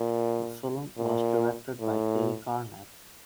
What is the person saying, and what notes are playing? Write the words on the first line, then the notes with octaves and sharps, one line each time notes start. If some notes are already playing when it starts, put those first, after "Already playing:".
The film was directed by Tay Garnett.
Already playing: A#2
A#2
A2